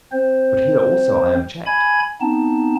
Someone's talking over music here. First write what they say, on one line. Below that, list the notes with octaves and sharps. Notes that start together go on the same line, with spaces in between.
But here also I am checked.
C4 C5
G#5 B5 G#6
B3 C4 D#4 A5